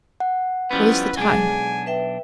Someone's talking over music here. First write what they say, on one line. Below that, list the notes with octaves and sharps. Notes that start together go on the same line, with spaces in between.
"What is the time?"
F#5
F3 G3 B3 C#4 E4 B4
B1 G#3 D4 G#4 G#5
B4 E5 G5